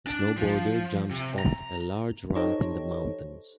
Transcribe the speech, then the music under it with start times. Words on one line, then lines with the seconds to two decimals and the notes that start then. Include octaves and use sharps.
A snowboarder jumps off a large ramp in the mountains.
0.07 D4
0.37 F3
1.11 C3
1.39 A#5
2.35 D#4 G4 A4 C5 C#5